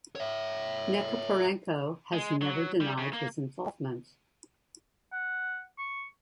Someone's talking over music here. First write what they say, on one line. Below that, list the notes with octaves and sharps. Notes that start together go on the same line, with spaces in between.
Nechiporenko has never denied his involvement.
C#5 E5
G#3
F#3
G3
C#3
A#3
F#5
C#6